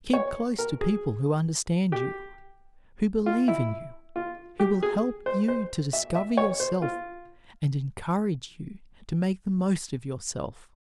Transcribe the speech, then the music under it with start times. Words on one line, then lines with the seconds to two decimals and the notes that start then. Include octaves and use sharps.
Keep close to people who understand you, who believe in you, who will help you to discover yourself and encourage you to make the most of yourself.
0.13 C#5
0.59 A#4
0.81 G#4
1.92 G4
3.26 F4
3.48 E4
4.16 F4
4.60 G4
4.83 G#4
5.26 C5
5.48 C5
5.93 E5
6.15 E5
6.37 C#5
6.60 C5
6.82 F4